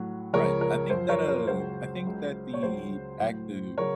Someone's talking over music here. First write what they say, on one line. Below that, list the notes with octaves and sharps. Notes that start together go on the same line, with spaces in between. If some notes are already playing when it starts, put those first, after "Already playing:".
Right. I think that, uh, I think that the act of
Already playing: A2 F#3
C#2 C#3 F3 A#4 C#5
A#4
F#2 F3 C5
A#4 C#5
A#4
C#2 C#3 F#3 C5
C#2 C#3 F#3
C#5
C#2 C#3 F#3 C5
A2 F#3
C#3 F#3 A#4 C#5